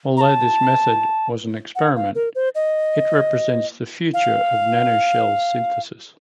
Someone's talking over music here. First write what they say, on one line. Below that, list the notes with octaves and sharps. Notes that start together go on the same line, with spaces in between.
Although this method was an experiment, it represents the future of nanoshells synthesis.
A#5
A5
F#5
F5
A#4
C5
D#5
F5